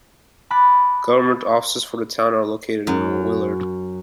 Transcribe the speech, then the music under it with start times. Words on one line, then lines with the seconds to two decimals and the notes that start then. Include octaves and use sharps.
Government offices for the town are located in Willard.
0.50 A5 B5 D6 F#6 B6
2.87 F#2